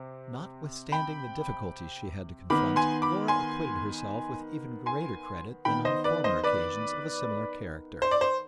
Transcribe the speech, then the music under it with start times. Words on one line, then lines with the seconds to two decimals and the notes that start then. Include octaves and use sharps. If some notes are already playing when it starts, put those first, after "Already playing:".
Notwithstanding the difficulties she had to confront, Laura acquitted herself with even greater credit than on former occasions of a similar character.
Already playing: C3 C4
0.92 G5 B5
2.50 D#3 B3 B5 D6
2.76 G#5 C6
3.02 B5 D6
3.28 G#5 C6
4.86 G#5 C6
5.65 D#3 B3 G5 B5
5.85 C5 D#5
6.04 B4 D5
6.24 C5 D#5
6.44 B4 D5
8.02 C5
8.11 D5
8.21 C5